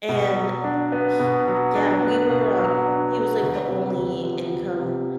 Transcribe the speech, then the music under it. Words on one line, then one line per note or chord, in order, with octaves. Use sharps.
and, m h Yeah, we were, um he was, like, the only income
B2
F#3
D4
B3
B2
F#3
D4
B3
B2
F#3
D4
B3
D2
C3
D2
F3
D2
C3